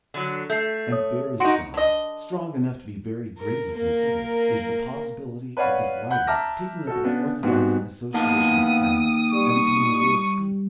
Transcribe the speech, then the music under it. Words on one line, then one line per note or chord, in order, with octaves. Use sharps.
And very strong--strong enough to be very gravely considered--is the possibility of that writing taking up an orthodox association of sounds, and becoming a world speech.
D3 F#3
A3 G6 C7
C#5 D#6
D#4 F#4 C6 D7
D3 D#5
A#4
A#3 A#4
B4 C#5 D5 F5 F#5 B5
F#5 B5 F#6 G6
E5 A5 A#5 D6 F6 A#6
F#4 A4
C#3 B3 D4
G#2 G3 B3 C4 F#4
A#3 B3 D#4 F5 A5 D#6
G3 C#6